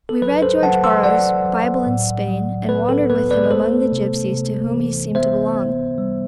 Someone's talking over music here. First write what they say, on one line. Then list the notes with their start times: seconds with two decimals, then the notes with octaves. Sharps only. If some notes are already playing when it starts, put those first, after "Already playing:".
We read George Borrow's "Bible in Spain," and wandered with him among the gypsies to whom he seemed to belong.
0.09 A4
0.22 F#3 B4
0.42 A4 C5
0.63 F#3 F#5 A5
0.84 C6 E6
1.04 F#3 D5 F#5
1.45 F#3
1.87 A2
2.28 F#3
2.68 B3 B4
2.89 A4
3.10 B3 B4
3.31 B4 D5
3.44 B4
3.50 A3 A4 C5
3.92 C3
4.33 C3
4.74 E3
5.15 B3 C5 E5
5.56 B3
5.98 G3